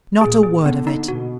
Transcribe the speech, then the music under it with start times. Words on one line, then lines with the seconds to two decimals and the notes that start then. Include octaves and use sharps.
'Not a word of it.
0.21 A#2 G#4
0.43 G#4
0.65 D3 B3
0.87 D#4
1.08 B2 F#4